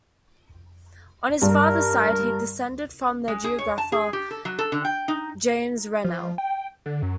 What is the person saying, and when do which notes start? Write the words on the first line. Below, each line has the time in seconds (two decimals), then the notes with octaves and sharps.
On his father's side he descended from the geographer James Rennell.
1.42 G2 A#4
3.28 G#3
3.44 G#4
3.59 C#5
3.78 A5
3.92 G#4
4.13 G4
4.31 A4
4.45 F#3
4.59 A4
4.72 D3
4.85 G5
5.08 D#4
6.04 F3
6.38 G5
6.86 D3
7.02 F#2